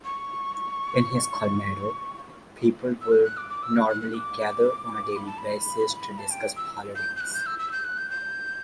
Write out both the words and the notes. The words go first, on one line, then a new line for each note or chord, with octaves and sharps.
In his Colmado, people would normally gather on a daily basis to discuss politics.
C#6
E6
F#6
F#6
D6
D6
E6
F#6
F#6
F#6
D6
B5
A5
B5
A5
G5
E6
G6
G6
F#6
G6
E6
E6
G6
F#6
G6
G6